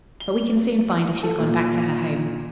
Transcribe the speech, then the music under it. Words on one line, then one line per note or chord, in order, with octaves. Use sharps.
But we can soon find if she's gone back to her home.
G7
A4
A#2